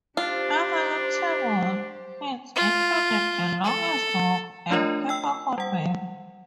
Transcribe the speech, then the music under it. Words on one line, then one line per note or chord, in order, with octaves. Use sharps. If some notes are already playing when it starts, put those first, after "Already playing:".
Other notable hits included "The Longest Walk" and "Pepper Hot Baby".
D4 F4 G4 C5
F4
A4
A3 D4 F4 A#4 C#5 D#5
G5 E6
G3 F#5